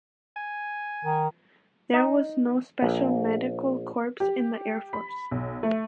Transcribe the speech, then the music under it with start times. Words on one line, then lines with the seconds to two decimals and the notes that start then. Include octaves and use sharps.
There was no special medical corps in the air force.
0.36 G#5
1.05 D#3
1.93 D#4
2.82 A#1
4.20 G4
4.93 B5
5.31 B1
5.63 A3